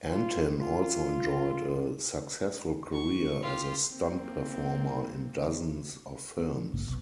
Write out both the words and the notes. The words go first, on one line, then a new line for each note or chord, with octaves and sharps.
Antin also enjoyed a successful career as a stunt performer in dozens of films.
F4
F4
C#6
F4 G4
A#3 C4
B3
F3
G#1 G2 C#3 A#3
F#1 C2 B2